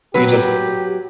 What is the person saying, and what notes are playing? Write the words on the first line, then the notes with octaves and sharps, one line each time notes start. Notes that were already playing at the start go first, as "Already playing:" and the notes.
you just
F#3 G4 B4